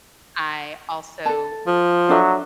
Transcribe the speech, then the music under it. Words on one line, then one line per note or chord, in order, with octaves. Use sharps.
I also
A4 A5
F3
F#3 D4 A4 E5